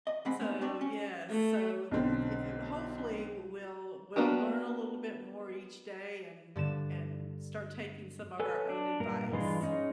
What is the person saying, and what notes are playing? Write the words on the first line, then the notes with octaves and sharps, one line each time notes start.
So, yeah, so tha i w hopefully, we'll we'll learn a little bit more each day and and start taking some of our own advice.
D#5
B1 G#3 C4 F#5 B5
G#3 B3 D#4
C4 D4 G4 C#5
C#4
A3
B1 D3 C4
A#3 B3 D4 F#4 G4
G2 D3 A6 E7
A4 B4 C#5 G#5
D4
G2 A#2 A#4
G2 E3 G#3 F4
G#3 C#4 D#4